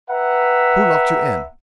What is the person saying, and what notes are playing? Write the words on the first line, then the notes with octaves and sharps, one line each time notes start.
"Who locked you in?"
B4 E5 F#5 G5 A#5